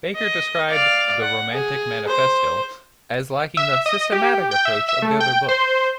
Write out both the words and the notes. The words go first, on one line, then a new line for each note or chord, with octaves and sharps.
Baker described "The Romantic Manifesto" as lacking the "systematic" approach of the other book.
D#5
D5 F5
F#5
G#4
C5
E5
D#5
G4
G5
E5
E5
A3
G5
C5